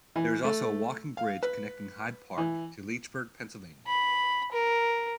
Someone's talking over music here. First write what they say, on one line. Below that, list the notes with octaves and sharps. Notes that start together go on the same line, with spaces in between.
There is also a walking bridge connecting Hyde Park to Leechburg, Pennsylvania.
E3
A3
F5
B4
E3
B5
A#4